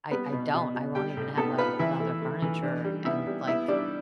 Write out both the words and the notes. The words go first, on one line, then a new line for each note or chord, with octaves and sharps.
I I don't I won't even have le leather furniture and like,
G3 B3 B4
B2
B2
B2
G3 G4 G5
A2
B3 A4 A5
F4 B4 B5
E3 E4 E5
A3
A3
E3
D4
G3
B3 E4 E5
G3
B3 E4 E5
G3 D4 D5